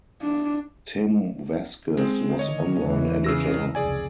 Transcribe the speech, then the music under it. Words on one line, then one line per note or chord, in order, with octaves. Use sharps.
Tim Vasquez was online editor.
D4
G#3 C4
D3 D#3 C#5 D#5
E2 E3
C#3 E6 A#6
F1 C#2 G#4 D5 G#5